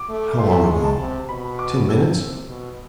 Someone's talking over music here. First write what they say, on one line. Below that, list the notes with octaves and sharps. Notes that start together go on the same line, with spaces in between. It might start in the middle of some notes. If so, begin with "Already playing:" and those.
How long ago? Ten minutes?
Already playing: D6
A3
A3 C6
G#3
A5
C3
B2 B5
D6
E6
C3
B2